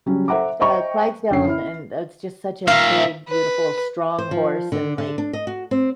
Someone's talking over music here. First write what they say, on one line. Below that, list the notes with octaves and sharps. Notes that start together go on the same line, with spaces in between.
Uh, Clydesdale and it's just such a big, beautiful, strong horse and, like
C#3 F#3 G3 C#4
A4 C5 E5 F#5 A#5 D6
C5 D#5 E5 G5 A#5 C#6
F#1 D3 C#4 C#5 G5 C7
E4 F6
A#2 D#3 E5 F5
B4
C5
F3
D3
D3
D4
D#5
F#4
C4